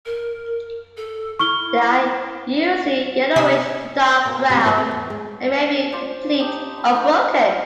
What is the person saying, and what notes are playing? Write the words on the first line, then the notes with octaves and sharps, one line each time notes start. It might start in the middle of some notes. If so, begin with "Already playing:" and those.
They are usually yellowish to dark-brown, and may be complete or broken.
A#4
A4
E4 C#6 F6 G7
C3 G#4 E6
B2 A#3
D2 C3 G3 C4
F3 F#3 B4 C5 D5
C4 G#4
E2
G#3
F4 C5 D5
D#4 G4 A5
B5 C#6
C4 D#4 A4 C#6
E5 F5 G5
D4 F4 G5 A5